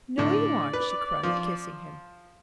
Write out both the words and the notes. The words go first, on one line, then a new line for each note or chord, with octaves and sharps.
"No, you aren't," she cried, kissing him.
A2 D3 D5
B4
F3